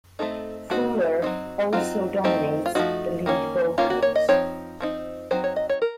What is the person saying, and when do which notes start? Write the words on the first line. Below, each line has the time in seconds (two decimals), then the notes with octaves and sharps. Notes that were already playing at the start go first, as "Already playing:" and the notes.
Fuller also dominates the lead vocals.
0.19 A3 C4 D#4 A4
0.70 A3 C4 D#4 F#4
1.22 F#3 C4 D#4
1.73 F#3 C4 D#4 F4
2.24 F3 A3 C4 D#4
2.66 F4
2.75 F3 A3 C4 D#4 F#4
3.26 D#3 A#3 C#4
3.78 D#3 A#3 C#4 F4
3.90 F#4
4.03 C#5
4.16 D#5
4.29 F3 C4 D#4 C#5
4.80 F3 C4 D#4
5.31 F#3 C4 D#4 C5
5.44 C#5
5.56 D#5
5.69 C#5
5.82 A#4